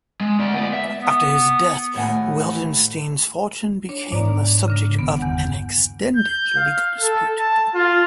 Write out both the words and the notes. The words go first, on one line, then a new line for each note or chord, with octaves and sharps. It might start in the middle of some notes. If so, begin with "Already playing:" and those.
After his death, Wildenstein's fortune became the subject of an extended legal dispute.
G#3
A3 D5
B3 D5
E5
B3
D#2 A2 F#5 G#5
D4 C#5
G#2 B3 D4 D5 A#5
C#3 D4 A#6
G1 D#2 B3
E2 F#5
G6
F5
A4
A5
F4